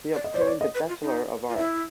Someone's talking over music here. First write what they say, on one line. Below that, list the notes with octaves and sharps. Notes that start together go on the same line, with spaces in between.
He obtained the Bachelor of Arts.
D5
D#5
C5 D5
C#5
D5
D#5
B4
F4
D#4
F4
E4 E5